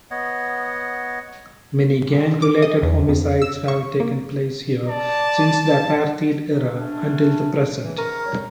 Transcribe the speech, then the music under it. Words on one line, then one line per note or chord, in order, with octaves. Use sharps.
Many gang-related homicides have taken place here since the Apartheid-era until the present.
B3 C#5 D#5 F#5
D6
D#5
E2
F2
E6
C#6
A#3
D5 A5
C3 B4
A3 C#4 D4
E3
G#2 C#4 A#4 C#6
G3 C#5